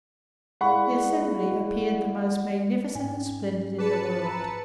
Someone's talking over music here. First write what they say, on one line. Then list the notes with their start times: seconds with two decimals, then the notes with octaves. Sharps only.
The assembly appeared the most magnificent and splendid in the world.
0.61 G#3 E4 D5 F5 F#5 B5 C#6
2.95 G#2 C#4 G5 G#5
3.78 G#4 B4 A5 C#7
4.25 A#5 B5 E6